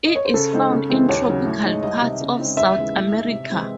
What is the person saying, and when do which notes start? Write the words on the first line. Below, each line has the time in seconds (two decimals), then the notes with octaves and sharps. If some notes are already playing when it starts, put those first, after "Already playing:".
It is found in tropical parts of South America.
0.06 D#5
0.16 C#5
0.25 C5
0.34 C#3 A4
0.53 G#3 C4 D#4
0.72 C#3
0.90 E3 G#3 C4
1.09 D#2 C#5
1.27 C#3 F#3
1.46 A2
1.65 G#3 D#4
1.83 C2 D#5
2.02 C3 D#3
2.21 C#3
2.39 G#3 C4 D#4
2.57 D#2 E5
2.76 C#3 E3 G#3
2.94 A2
3.13 G#3 D#4
3.32 C3
3.50 E3 G#3 C4 E4